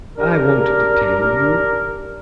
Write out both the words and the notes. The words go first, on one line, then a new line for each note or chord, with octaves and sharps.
I won't detain you.'
D4 G4 A#4